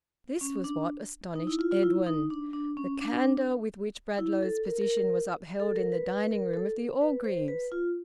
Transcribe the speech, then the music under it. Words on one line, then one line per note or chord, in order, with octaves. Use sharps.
This was what astonished Edwin: the candour with which Bradlaugh's position was upheld in the dining-room of the Orgreaves.
C#4
D4
D#4
E4
F4
F4
E4
D#4
D4
D4
C#4
D4
E4
A4
A#4
A#4
A#4
A4
A#4
B4
B4
A#4
A4
B4
C5
B4
F4